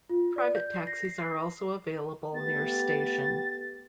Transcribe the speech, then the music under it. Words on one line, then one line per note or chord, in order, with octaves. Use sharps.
Private taxis are also available near station.
F4
D5
G6
C7
A#6
C7
A3 B3 G4 A6